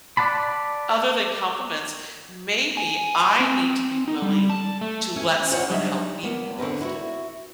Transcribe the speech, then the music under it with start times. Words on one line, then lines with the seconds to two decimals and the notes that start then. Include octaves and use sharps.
other than compliments, maybe I need to be willing to let someone help me more often.
0.17 D5 F#5 A5 B5
2.77 G#5
3.40 C4
4.08 D#4
4.22 G3
4.50 A5
4.81 A3
5.16 C#4 E4 G#5
5.50 F4 C5 C#5 D#5 F5 F#5
5.70 F#3 G3 D4 D#4 D#5 E5
6.23 A#3 B3
6.58 D3 C4 A#4 B4
6.81 E4 F#4